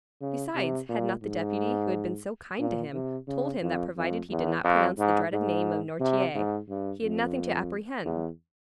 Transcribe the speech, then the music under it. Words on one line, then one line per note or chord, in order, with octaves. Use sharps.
Besides, had not the deputy, who had been so kind to him, told him that provided he did not pronounce the dreaded name of Noirtier, he had nothing to apprehend?
C#3
C3
A#2
G#2
A#2
C3
C#3
F2
F2
E2
F2
G#2
G#2
C3
G#2
G2
F2
E2